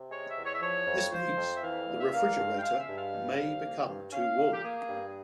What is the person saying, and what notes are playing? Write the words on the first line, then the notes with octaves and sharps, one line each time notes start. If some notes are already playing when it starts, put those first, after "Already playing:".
This means the refrigerator may become too warm.
Already playing: C3
G#3 C#5
E5
E2
C#5
E5
F3 C#5
F2
F3 C5
F2
E5
E3 F5
E2
E5
A#3 F5
G2
G5
G#3 F5
E5
G2
F5
G3
C2
A#3
G2
C#4 F5
A#2
G4
A#3 G#4
G2